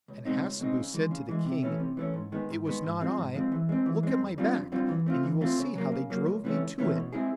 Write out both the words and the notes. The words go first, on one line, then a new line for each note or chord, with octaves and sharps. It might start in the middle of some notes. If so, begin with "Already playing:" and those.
And Hassebu said to the King: 'It was not I: look at my back and you will see how they drove me to it.'
C#2
B2 G#3 C4 D#4
C#2
B2 G#3 C4 D#4
C#3
E3 G#3
C#3
E3 G#3
C3
E3 A3 C#4
C3
E3 A3 C#4
G#2
D#3 G#3 B3
G#2
D#3 G#3 B3
G#2
F3 G#3 C4
G#2
F3 G#3 C4
E3
G#3 C4
E3
G#3 C4
F2
D3 G3 C4 F4
F2
D3 G3 C4 F4
E3
A3 C4 F4
E3
A3 C4 F4
C#3
F#3 A#3
C#3
F#3 A#3
C#2
C3 E3 A3 C#4
C#2
C3 E3 A3 C#4
B2
G#3 C4 E4 G#4